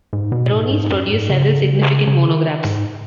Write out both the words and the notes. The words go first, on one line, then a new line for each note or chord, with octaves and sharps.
Veronese produced several significant monographs.
G#2
B2
G#2
G#2
F#2
G#2
C#3
C#3
D#3
G#2